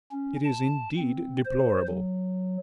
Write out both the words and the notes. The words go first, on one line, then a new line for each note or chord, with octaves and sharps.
It is indeed deplorable.
C#4
A5
C4
C5
F#3